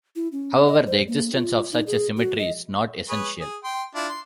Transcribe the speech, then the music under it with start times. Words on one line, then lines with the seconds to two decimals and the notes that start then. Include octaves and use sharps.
However, the existence of such a symmetry is not essential.
0.16 E4
0.32 C#4
0.66 D#5
0.87 C5
1.08 A#3
1.34 F4
1.72 D#4
1.87 G#4
2.17 F#4
2.38 D#5
3.09 G#4 B4 C#5
3.40 G#4
3.64 G5 C6
3.95 D4 E4 F4
4.09 C6